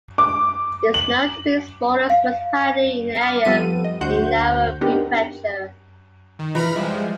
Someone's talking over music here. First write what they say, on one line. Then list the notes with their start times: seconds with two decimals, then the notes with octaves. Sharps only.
It is known to be smallest municipality in area in Nara Prefecture.
0.18 D6
0.94 F#7
2.10 F5
3.21 D6 F6
3.45 F3 G3 B3 C4 A4 D#7
3.84 D#5
4.01 D2 D3 F#4 C5 F#5 G6
4.81 B3 C4 D4 D#4 G4 A#4
6.39 D#3
6.55 E3 A#5 B5 F6
6.76 F3 G3 G#3 E5